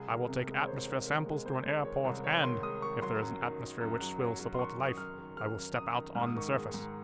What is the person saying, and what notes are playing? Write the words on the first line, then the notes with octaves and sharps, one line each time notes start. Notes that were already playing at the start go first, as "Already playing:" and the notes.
I will take atmosphere samples through an air port and, if there is an atmosphere which will support life, I will step out on the surface.
Already playing: C2 G#4
D#3
A#4
C3
A#4
G#3
C#5
D#3 C5
D#3
D#3 A#4
G#3
G#3 C5
G#3
D#3 C#5
C2
D#3 C#5
D#3 C6
G#3 D#6
D#3 C#6
F#3 C6
F#2
D#3
D#3
F#2
F#3
F#3
F#3
C6
D#3 C#6
F#2 C#6
D#6
F#3 F6
D#3
D#3 F6
F#2
F#2 D#6
D#3
G#2 F6
D#6
D#3 C#6
D#6
G#3
G#2